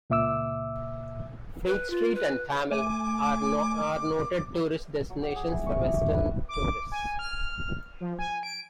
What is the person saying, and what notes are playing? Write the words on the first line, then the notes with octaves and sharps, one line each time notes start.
Freak Street and Thamel are noted tourist destinations for Western tourists.
C#2 A#2 E5 D6 E6
B4
F4
B4
A3 G#5 D6
F#3
G4
G#4
E4
C#6
G4
G4
B4
D6
G#5
F6
F3
G#5
D7